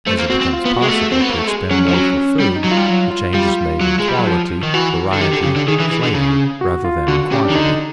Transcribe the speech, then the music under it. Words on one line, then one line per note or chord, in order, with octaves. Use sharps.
As it becomes possible to expend more for food, the change is made in quality, variety, flavor, rather than in quantity.
A3 C5
A#3
C4 F#4
C4
F4
B3
F#4
G#3
A3
C4
B3
A#3
A3
G#3
F#3 C#4
F3
F#3 C#4
C#4
G3
D#4
F#3
F4
G3
F#3 F4
F4
G3 F4
F#3
G#3
G3
F#3
F3
D#3
E3 F#4
D3
D#3 G4
D3
C#3
D3
D#3 G#4
E3
E3
D3
C#3
F#4
F4
D3 F#4
C#3 G4
D4
D#3
D3 D#4